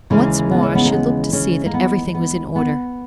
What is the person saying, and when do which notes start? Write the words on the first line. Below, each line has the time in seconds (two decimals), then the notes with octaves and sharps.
Once more she looked to see that everything was in order.
0.10 D#2 C#3 E3 G#3 A#3
0.51 B3
0.63 C#4
0.75 B3
0.85 A#3
0.92 B3
1.33 C#3 C#4
1.66 A#3
1.74 B3
2.15 B3
2.56 B3